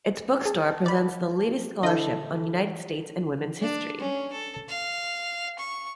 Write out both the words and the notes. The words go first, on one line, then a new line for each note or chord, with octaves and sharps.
Its bookstore presents the latest scholarship on United States and women's history.
G#4 A5
D5 B5
D3 E4 A4 D#5 G6
D4
C#4
A4
F5
C#6